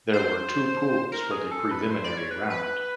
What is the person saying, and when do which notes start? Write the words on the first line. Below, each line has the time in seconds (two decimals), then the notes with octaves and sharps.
There were two pools for the preliminary round.
0.13 C5
1.12 A#4
1.31 G#4
1.51 A4
1.71 B4
1.91 C5
2.04 D5
2.17 C#5
2.31 B4
2.50 B4